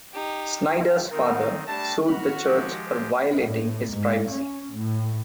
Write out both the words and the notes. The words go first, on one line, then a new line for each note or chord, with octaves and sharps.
Snyder's father sued the church for violating his privacy.
D#4 G4
D#3 C4 D#4 A#4
G3 A3 D4 A5 A#6
D#3 F#4 B5 F6
F3 G#3 G4
A2
G#2
C#4
A2